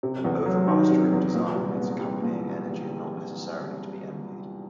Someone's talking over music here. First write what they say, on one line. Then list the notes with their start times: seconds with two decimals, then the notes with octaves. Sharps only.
An overmastering desire and its accompanying energy are not necessarily to be envied.
0.03 C3
0.25 E2
0.46 F#3
0.68 D#3
0.90 C3
1.13 E2
1.34 A#2
1.55 C2
1.77 B3
1.99 G3
2.22 A#2